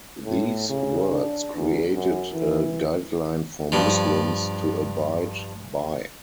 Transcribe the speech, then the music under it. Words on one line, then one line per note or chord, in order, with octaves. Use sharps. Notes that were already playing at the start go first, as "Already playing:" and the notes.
These words created a guideline for Muslims to abide by.
A2
C#3
D4
E2
F#2
E3
G2 F3